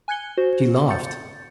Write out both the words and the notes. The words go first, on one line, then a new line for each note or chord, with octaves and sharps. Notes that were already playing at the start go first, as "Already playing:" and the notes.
She laughed.
G#5 F#6 G#6 C#7 G7
F#4 C5
G6 A6 C#7